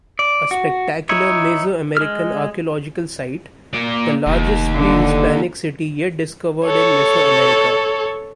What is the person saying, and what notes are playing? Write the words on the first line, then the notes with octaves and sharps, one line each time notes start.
A spectacular mesoamerican archaeological site, the largest prehispanic city yet discovered in Mesoamerica.
D5
F#4
D#4 E4 C#5
G#3 F6
A#3 D5
F1 D#2
D3
A4 C#5